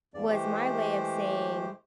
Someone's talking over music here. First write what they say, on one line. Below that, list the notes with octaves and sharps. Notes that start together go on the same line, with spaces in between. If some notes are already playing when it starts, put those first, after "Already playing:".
was my way of saying,
E2 G2 D5
E3 G#3 A3 G4 C5